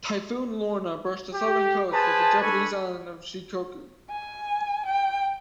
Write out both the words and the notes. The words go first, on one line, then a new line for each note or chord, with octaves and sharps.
Typhoon Lorna brushed the southern coast of the Japanese island of Shikoku.
G4
G#4 B4 C5 G#5 A5
D4 A4 B4 G#5 B5 C#6
G#5
G5